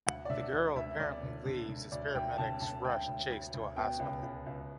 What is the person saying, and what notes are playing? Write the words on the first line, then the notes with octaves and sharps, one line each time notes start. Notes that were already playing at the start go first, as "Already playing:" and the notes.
The girl apparently leaves as paramedics rush Chase to a hospital.
D2 F#5
D5
D3 E5
D2 D5
D2 E5
D2 D5
D3
D3
D3
D2 D5
D2 G5
D3 A5
D3 A5
D2 G5
D2
D2
D2
B2 G5
C#2
C#2
C#2